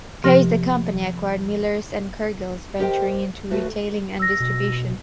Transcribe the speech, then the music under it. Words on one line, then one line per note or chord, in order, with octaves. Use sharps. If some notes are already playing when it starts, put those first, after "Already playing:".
Page the company acquired Millers and Cargills venturing into retailing and distribution.
C3 F3 G4 F6 A#6
G4 A#4 C5 D#5 G5
D#2 A3 F#4 A4 B4
E6 A#6
B2